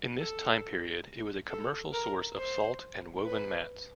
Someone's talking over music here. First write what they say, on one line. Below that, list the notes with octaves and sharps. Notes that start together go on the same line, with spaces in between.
In this time period, it was a commercial source of salt and woven mats.
A4
A4
A#4
C5
B4